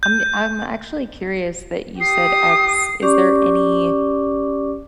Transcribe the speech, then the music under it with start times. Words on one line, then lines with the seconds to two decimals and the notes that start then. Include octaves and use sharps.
I'm n I'm actually curious that you said "X." Is there any
0.03 G6
2.01 G4 D#6 C7
3.02 C#4 G4 D5 C#6 D6